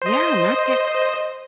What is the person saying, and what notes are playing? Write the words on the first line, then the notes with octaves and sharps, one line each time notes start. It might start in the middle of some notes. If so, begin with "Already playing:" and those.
Yeah, not get
C5 D#5